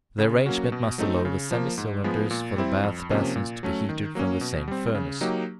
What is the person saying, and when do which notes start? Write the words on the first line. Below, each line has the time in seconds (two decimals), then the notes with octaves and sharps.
The arrangement must allow the semi-cylinders for the bath basins to be heated from the same furnace.
0.18 C#3
0.46 F#3 A#3 C#4 F#4
0.72 B2
0.98 F#3 A3 C4 D#4
1.25 C#3
1.51 F3 A#3
1.78 G#2
2.04 F3 G#3 B3
2.31 A#2
2.56 G3 C4 E4
2.83 F2
3.10 C3 F3 A#3 C#4
3.36 A#2
3.63 F#3 A3 C#4
3.89 D#3
4.15 F#3 A#3 C#4
4.41 B2
4.68 G3 C4
4.95 C#3
5.21 F#3 A#3 D#4 G4